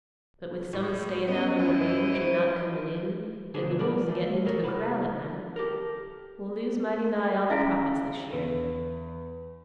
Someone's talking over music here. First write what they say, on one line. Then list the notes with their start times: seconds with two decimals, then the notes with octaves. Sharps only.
But with some a stayin' out on the range, an' not comin' in, an' the wolves a gettin' into the corral at night, we'll lose mighty nigh all the profits this year.
0.73 A2
1.27 B3 C#4 D#5
1.59 F#2 E4 D#5
2.13 F#3 C5 D7
3.54 B1 D3 G#3 D4 D#4 G#4
3.79 A#4 B4 D5 F#5
4.08 E3 A3
4.45 G#3 A4 A#4 C#5
4.63 C3 E4 B4 F#5
5.56 G4 A4 A#4
7.50 C#4 E4 E5 F5 B6 D7
8.32 E2 B4